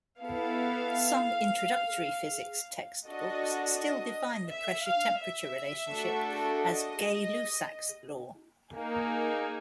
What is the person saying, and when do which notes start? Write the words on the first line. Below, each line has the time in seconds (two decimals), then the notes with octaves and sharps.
Some introductory physics textbooks still define the pressure-temperature relationship as Gay-Lussac's law.
0.22 B3 E4 A4 F5
3.06 D4 F#4 A4 D#5
3.78 D#5
4.49 E5
4.84 F5
5.20 E5
5.91 A3 D4 F#4 A4
6.62 D#5
8.75 A#3 D#4 G#4